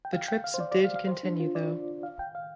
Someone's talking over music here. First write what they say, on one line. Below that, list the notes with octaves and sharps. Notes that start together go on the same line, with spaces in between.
The trips did continue though.
G5
F5
G5
F5
C5
D5
D5
F5
F5
C5
D4
F4
D5
F5
G5
F5